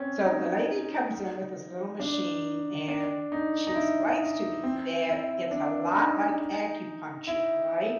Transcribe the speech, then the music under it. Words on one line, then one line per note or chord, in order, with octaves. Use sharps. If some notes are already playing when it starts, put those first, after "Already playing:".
So, the lady comes in with this little machine, and she explains to me that it's a lot like acupuncture, right?
Already playing: C4 C#4
D#4
D4
D4
D#4
D#4
E4
C4
E4
D4
D#4
E4